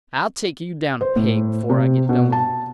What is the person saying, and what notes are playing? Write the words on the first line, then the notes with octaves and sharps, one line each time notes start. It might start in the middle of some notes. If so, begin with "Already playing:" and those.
I'll take you down a peg before I get done with you.
C5
A2
C3
B2
A5